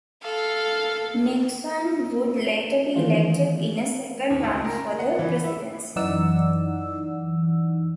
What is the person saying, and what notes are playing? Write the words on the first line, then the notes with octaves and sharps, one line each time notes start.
Nixon would later be elected in a second run for the presidency.
A4 F5
D#3 E3 G#3 A3 F4
D#2
C#2
A#4
F#5
E3
E4
F#2 E3 D#4 D5 F#5 E6